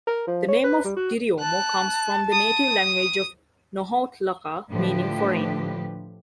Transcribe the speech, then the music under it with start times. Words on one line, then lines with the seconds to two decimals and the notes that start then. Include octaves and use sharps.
The name of Diriomo comes from the native language of Nahuatlaca, meaning foreign.
0.07 A#4
0.27 F3
0.48 C#5
0.64 B4
0.84 G3
0.96 F#4
1.39 A5 F#6
2.32 D#6
4.70 A2 D3 F3 G4 B4